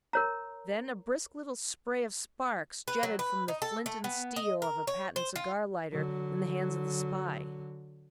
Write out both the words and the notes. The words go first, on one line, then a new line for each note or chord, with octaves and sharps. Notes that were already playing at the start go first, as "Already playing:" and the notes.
Then a brisk little spray of sparks jetted from the flint and steel of a patent cigar-lighter in the hands of the spy.
A#4 C#5 A#5
B4
F#3
B4
D#4
A4
A3
B3
D#5
A#4
C#5
C5
F4
D3 F#3